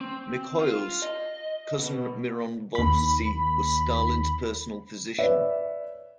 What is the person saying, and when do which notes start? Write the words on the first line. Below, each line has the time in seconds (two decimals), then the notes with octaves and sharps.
Mikhoels' cousin Miron Vovsi was Stalin's personal physician.
0.01 C4
0.60 F4
1.02 D#5
1.80 B2
2.75 D#2 B5
5.18 B4 C#5 D5 E5